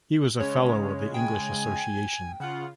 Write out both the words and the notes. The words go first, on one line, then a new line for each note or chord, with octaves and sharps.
He was a Fellow of the English Association.
C#3 G#3 C#4 C#5
G5 G#5
C#3 F4 F#5